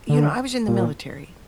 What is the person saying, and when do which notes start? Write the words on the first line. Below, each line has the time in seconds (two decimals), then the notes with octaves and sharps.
you know, I was in the military
0.09 D3
0.68 A#2